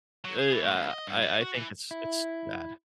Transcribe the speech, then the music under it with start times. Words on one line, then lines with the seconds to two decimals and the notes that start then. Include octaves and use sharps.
Eh, uh, I I think it's it's bad.
0.25 F#3
0.39 G#4
0.52 E3
0.63 A2
0.75 C#2
0.91 D#5
1.08 G2
1.22 G3
1.41 F#4
1.55 E3
1.91 E4